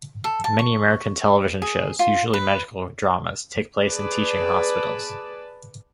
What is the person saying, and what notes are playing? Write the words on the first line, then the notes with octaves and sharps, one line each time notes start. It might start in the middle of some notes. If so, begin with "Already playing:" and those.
Many American television shows, usually medical dramas, take place in teaching hospitals.
A4
A5
C#6
G#4
F4
B4
G#4 B4 D5 A5